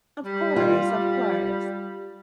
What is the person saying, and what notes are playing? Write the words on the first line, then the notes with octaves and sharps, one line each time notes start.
Of course, of course.
G3
F4